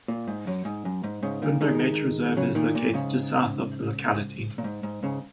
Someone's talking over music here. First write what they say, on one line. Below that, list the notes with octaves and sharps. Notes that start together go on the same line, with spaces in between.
Vinberg Nature Reserve is located just south of the locality.
A#2
G#2
F#2
G#2
F#2
G#2
G#2 C#3
A#2 D#3
D#3 G#3
C#3 F#3
A#2 D#3
A#2
G#2 C#3
A#2
G#2
G#2
G#2 C#3